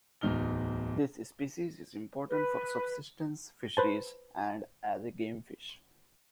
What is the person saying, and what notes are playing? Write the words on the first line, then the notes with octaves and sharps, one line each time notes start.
This species is important for subsistence fisheries and as a gamefish.
D1 E2 D#4 F6 G7
B4
B4 C5 A5